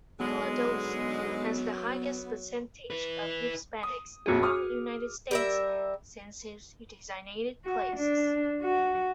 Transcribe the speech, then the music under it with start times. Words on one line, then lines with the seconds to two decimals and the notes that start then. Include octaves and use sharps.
Mila Doce has the highest percentage of Hispanics among United States census-designated places.
0.20 G#2 D3 F#3 G#3 B3
2.90 E4 B4
3.83 D#6
4.26 A#1 F2 C#4 F#4 G#4
4.42 D6 D#6 F6
5.31 G3 A#4 E5
7.64 F#4
7.96 D4
8.61 F#4